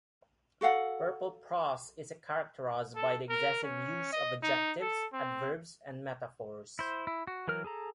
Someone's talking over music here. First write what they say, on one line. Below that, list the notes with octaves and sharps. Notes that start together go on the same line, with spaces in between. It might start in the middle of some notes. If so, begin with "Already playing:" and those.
Purple prose is characterized by the excessive use of adjectives, adverbs, and metaphors.
F#4 A4 F5 F#5
A4
A#4
C#4
D#5
D#4
A4
C4
E4 C5
E4
F#4
E3 F#3 A#4 F6
G#4 A4 A#5